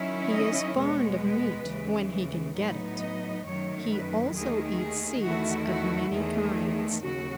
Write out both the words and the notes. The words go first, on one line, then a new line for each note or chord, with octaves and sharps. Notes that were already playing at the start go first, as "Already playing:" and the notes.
He is fond of meat when he can get it. He also eats seeds of many kinds.
Already playing: D#3 F#3 C#4 E4
D#5
E2 B2 G#3 B3 C#5
B4
D#2 C#3 E3 G#3
A2 F#3 B3 D#4
D#5
F#2 D#3 F#3 A3 C#5
B4
D#2 D#3 A3 G#4
G#4
E2 D#3 A3 E4 F#4
F#4
E2 D#3 A3 G#4
D#2 C#3 F#3 F#4